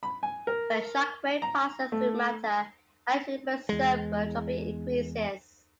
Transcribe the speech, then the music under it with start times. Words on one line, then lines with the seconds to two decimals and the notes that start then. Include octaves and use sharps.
When a shock wave passes through matter, energy is preserved but entropy increases.
0.03 B5
0.23 G#5
0.47 A#4
1.42 A#5
1.92 A3
3.69 E2 G#3